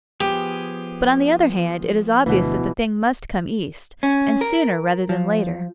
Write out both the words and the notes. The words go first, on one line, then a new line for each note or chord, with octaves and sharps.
'But on the other hand it is obvious that the thing must come east, and sooner rather than later.
F3 B3 G4 G#4
D2 B2 E3
C#4
A#4
F3